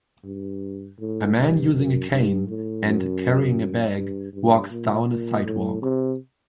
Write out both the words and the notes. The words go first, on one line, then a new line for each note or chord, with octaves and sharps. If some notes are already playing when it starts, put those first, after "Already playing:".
A man using a cane and carrying a bag walks down a sidewalk.
G2
A2
G2
F#2
G2
A2
F#2
G2
G2
A#2
A#2
A2
C3